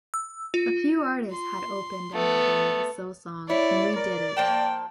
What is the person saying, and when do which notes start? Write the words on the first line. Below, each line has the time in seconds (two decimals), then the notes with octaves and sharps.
A few artists had opened an album with a slow song and we did it.
0.14 E6
0.54 F4
1.31 C6
2.14 A3 B3
3.50 E4 C#5 D5
3.96 A#4 D5
4.37 F3 A#3 G5 A5